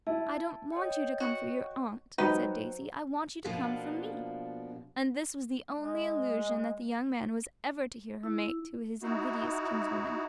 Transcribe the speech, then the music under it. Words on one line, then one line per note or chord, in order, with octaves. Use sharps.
"I don't want you to come for your aunt," said Daisy; "I want you to come for me." And this was the only allusion that the young man was ever to hear her make to his invidious kinswoman.
E4 A5
C#5 D#5 G5
F#4
F#3 D#4 F#4 B4 C5 G5
B2 F3 A#3 D4 F4 F#4
G#3
E4
D#4 E4 F#4